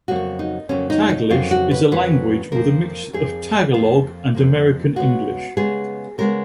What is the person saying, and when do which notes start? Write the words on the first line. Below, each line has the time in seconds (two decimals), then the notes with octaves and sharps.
Taglish is a language with a mix of Tagalog and American English.
0.08 F2 C#3 F#3 A#3 F#4
0.39 D#4
0.69 F2 C#3 F#3 A#3 C#4
0.90 D#4
1.10 D#4
1.30 F2 C#3 F#3 A#3 F4
1.51 F#4
1.71 B4
1.91 F2 C#3 F#3 A#3 B4
2.52 F2 F3 A#3 A#4
3.13 F2 F3 A#3 G#4
3.74 F2 F3 A#3 F4
4.35 F2 F3 A#3
4.96 C#3 G#3 B3 F#4
5.57 C#3 G#3 B3 G#4
6.18 C#3 G#3 B3 A#4